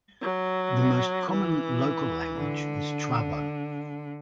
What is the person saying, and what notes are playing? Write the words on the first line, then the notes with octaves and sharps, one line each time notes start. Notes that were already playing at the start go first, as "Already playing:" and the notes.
The most common local language is Chuabo.
F#3
E3
D3